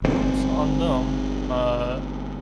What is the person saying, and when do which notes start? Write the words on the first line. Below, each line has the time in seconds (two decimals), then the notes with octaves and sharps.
Oops on them. Uh,
0.02 G1 C3 C4